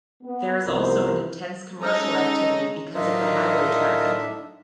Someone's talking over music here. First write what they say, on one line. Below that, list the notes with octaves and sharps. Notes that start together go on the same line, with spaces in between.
There is also an intense commercial activity because of the highway traffic.
B3
C2 G2 F3 B3 A#4 C5
G#3 C#4 D#4 A4 A#5
A2 F#3 D4 D#4 F4 A#4 D#5 E5